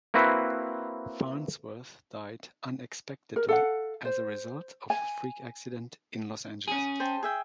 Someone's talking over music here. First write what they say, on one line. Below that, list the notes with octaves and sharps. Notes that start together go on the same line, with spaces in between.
Farnsworth died unexpectedly as a result of freak accident in Los Angeles.
A#3 C4 E4 F#4 B4
A#4
A4 F5 F#5
C5
G#5
C#4 G#4
C5 G5 A5
G#4 E5 G5